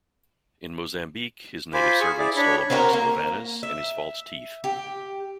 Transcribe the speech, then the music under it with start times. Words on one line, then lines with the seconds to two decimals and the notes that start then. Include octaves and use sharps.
In Mozambique, his native servant stole a box of Havanas and his false teeth.
1.73 F4 C5 G#5 B5 D6
2.00 G#4 C#6
2.19 E4 G#4 D5
2.36 D4 C#5 B5 C#6
2.70 C4 C#4 F#4 A#4
2.93 A#3
3.63 E5
4.64 G4